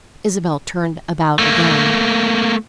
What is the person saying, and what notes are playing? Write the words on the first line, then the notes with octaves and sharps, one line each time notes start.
Isabel turned about again.
A3 A#3